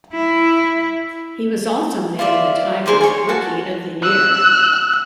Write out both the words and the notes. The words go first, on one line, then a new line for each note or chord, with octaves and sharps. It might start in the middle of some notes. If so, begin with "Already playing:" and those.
He was also named the Tigers Rookie of The Year.
E4
F4 C5 D5 E5
G#4 A#4 C5 D5
C#5 G#5
F#4 A5
E6 F#6